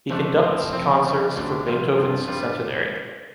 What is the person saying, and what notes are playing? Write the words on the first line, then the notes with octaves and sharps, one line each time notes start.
He conducts concerts for Beethoven’s centenary.
F2 F3 A3 D4
A2 F3 C4
C3 F3 C4
F2 C3 G3 D4
D2 D3 G3 D4
F2 C3 G3 C4 F4
G2 F3 C4 F4
G2 G3 F4